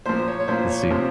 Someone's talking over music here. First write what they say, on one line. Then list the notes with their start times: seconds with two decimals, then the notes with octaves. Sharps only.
I'll see ya.
0.06 A#2 F3 C5
0.28 C#5
0.40 C#5
0.48 A#2 F3 C5
0.69 C#5
0.90 C3 F3 C5